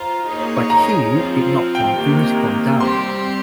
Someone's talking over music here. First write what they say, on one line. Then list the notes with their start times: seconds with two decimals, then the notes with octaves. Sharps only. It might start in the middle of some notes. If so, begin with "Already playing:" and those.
But he did not convince Gonzalo.
Already playing: F4 C5 A#5
0.27 A#3 D#4 G#4 C#5
0.70 A#5
1.12 F3 C4 F4
1.75 G5
1.96 C3 D#3 A#3
2.80 G3 C4 G4 C6